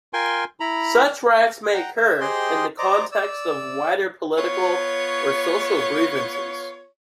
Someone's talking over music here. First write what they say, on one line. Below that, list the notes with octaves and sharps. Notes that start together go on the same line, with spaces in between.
Such riots may occur in the context of wider political or social grievances.
F4 A#4 G5 G#5 C6
E4 A#5 B5
F#5 G5 A#5
E5
G4 G#4 C5 D#5 G5 C6
C5 D5 D#5 A#5 D6
D5 E6
B3 F4 C#5